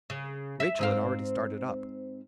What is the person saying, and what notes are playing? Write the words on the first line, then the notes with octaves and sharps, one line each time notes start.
Rachael had already started up.
C#3
E5
G#2 C4 F5